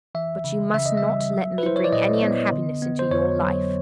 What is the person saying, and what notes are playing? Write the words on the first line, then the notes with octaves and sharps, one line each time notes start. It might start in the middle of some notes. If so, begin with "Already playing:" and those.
But you must not let me bring any unhappiness into your life.
E3 E5
C#3
C#3 E5
D#5
E5
G3
F#3
B4
E4 C5
C#5
D5
A#2 D#5
B3
D3
B3
C5
F2 C#5
F#3